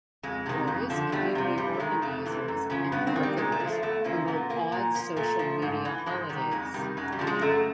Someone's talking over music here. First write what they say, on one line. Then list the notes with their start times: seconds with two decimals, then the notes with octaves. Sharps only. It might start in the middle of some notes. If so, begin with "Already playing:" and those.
Various community organizers and marketers promote odd social media holidays.
0.23 F2 G#3
0.46 C3 D#3
0.67 F2
0.90 D3 F3
1.12 E2 G3
1.35 C3 F3
1.58 G2 G3
1.74 A3
1.80 D#3 G#3
2.02 F2 A3
2.26 C3 E3
2.48 F#2
2.70 C#3 F3
2.92 G2 B3
3.07 C4
3.16 D#3
3.23 G3
3.37 A#2 G#3
3.52 A3
3.60 F3
3.67 A3
3.82 E2 A3
4.04 C#3 F3 A#3
4.27 A#2 B3
4.49 F3 A#3
4.72 A#2
4.95 F3
5.16 A#2 A3
5.39 F3
5.62 G#2
5.85 E3
6.06 G#2 G#3
6.29 D#3 G3
6.51 F2 G#3
6.74 C3 D#3 G3
6.97 F#2 G#3
7.12 G3
7.19 D3 F3
7.27 G#3
7.41 F#2 A3